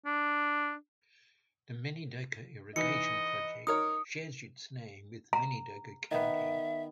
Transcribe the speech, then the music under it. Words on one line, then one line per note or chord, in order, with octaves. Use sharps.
The Minidoka irrigation project shares its name with Minidoka County.
D4
E3 D#4 D#5 C#7
D#4 A#4 C#5 D#6
A#5
D#3 B3 E5